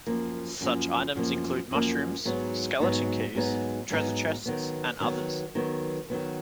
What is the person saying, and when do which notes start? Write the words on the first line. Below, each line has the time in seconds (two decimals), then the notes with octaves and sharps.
Such items include mushrooms, skeleton keys, treasure chests, and others.
0.07 F#2 F3 A#3
0.61 F#2 F3 A#3
1.15 F#2 F3 A#3
1.71 F#2 F3 A#3
2.25 G#2 F#3 B3 D#4
2.80 G#2 F#3 B3 D#4
3.35 G#2 F#3 B3 D#4
3.90 G#2 F#3 B3 D#4
4.46 D#3 F#3 B3
5.00 D#3 F#3 B3
5.55 D#3 F#3 B3
6.10 D#3 F#3 B3